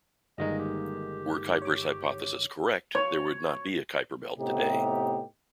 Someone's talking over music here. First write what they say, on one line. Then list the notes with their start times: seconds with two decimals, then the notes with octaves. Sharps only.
Were Kuiper's hypothesis correct, there would not be a Kuiper belt today.
0.38 G1 D#3 G3 G#3 A#3 D#4 D#5
0.59 G4
1.62 C#5 D6
2.95 C#5
4.38 A2 C3 B3 D#4 G4